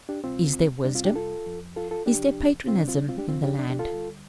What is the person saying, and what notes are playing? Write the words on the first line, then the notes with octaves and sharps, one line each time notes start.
Is there wisdom, is there patriotism in the land?
D4 G4
D2 C3 G3 C4 F4
F2 C3 G3 D4
C4 F4
D4 G4
F4 A4
F2 F3
F4 A4
F4 A4
C2 C3 F3 D4 G4
C2 C3 G3 C4 F4
D4
C4 F4
D4
C4 F4
D4 G4
D2 C3 F3 C4 F4
D4 G4
D4
D4 G4
F4 A4
D2 D3 G3